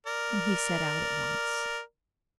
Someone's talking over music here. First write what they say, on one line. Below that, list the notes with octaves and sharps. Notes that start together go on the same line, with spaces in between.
And he set out at once.
A#4 D5